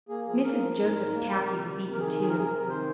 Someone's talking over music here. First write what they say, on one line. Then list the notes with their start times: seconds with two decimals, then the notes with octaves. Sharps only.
Mrs. Joseph's taffy was eaten too.
0.09 A#3 G#4
0.26 F3 G#4
0.43 A#3 A#4
0.60 F3
0.78 G#2
0.95 G#2
1.13 A#3
1.30 C3
1.47 C3
1.64 C3
1.82 C3
1.93 A#4
1.99 D#3 G#4
2.17 C3
2.22 G#4
2.29 A#4
2.34 C3 G#4
2.45 A#4
2.51 C3
2.68 D#3 C5